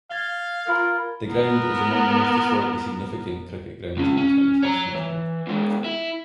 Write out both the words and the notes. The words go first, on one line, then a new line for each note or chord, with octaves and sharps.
The ground is among the most historically significant cricket grounds of the twenty-first century.
F5 G#6 A6 G7
F4 A#4 B5 F6
B3 A#4
C#2 C#4
C#4
C#5 A#5
E3
B2 G#3
E4